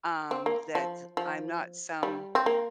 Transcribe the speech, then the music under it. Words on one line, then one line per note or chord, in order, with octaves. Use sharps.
um, that I'm not some
C4
A#3
F3
F3
G3
C4
A#3